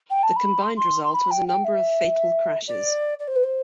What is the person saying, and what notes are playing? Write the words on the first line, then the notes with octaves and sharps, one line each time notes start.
The combined result was a number of fatal crashes.
G5
A5
B5
C6
C6
C6
B5
G5
G5
E5
D5
D5
C5
B4
C5